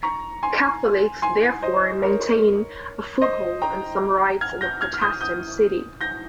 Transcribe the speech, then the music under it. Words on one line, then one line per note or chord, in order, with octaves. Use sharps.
Catholics therefore maintained a foothold and some rights in the Protestant city.
A#5 C#6
G#5 C6
G#5 C6
C5 D#5
A#4 C#5
C5 D#5
G5 A#5
F6 G#6
G6 A#6
F6 G#6
F6
D#6 G6
D#6 G6
G6 A#6